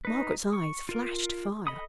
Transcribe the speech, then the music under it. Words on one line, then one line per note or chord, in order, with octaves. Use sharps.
Margaret's eyes flashed fire.
D#4 B4
C#6
F4 A#4
A4 D#5 B5 D#6